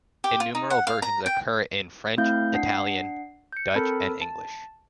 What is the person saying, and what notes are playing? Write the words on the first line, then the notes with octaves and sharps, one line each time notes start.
Innumerable versions occur in French, Italian, Dutch and English.
G4
F4
D#4
F#5
F5
A#5
G5
A3 C4 E4 F5 G6
D4 F#5 C7
G6 C#7
C4 A4 A#4 A5 B5
A5